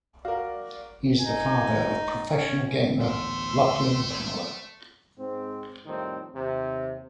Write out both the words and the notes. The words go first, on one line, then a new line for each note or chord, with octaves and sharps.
He is the father of professional gamer Lachlan Power.
F#4 A#4 D5 F5
D#4 G#5
C#4
A1 D2 A3 B3 C6 E6
G#2 C4
F2 A2 D#3 G3 C4
D#2 C3